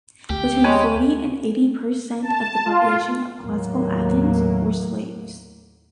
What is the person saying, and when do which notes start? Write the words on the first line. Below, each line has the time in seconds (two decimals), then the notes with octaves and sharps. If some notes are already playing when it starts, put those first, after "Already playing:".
Between forty and eighty per cent of the population of Classical Athens were slaves.
0.30 D2 G4
0.64 G#3 C#5 G#5 B5
2.22 A5
2.65 F4
3.40 D#2 A2 F#3 A#3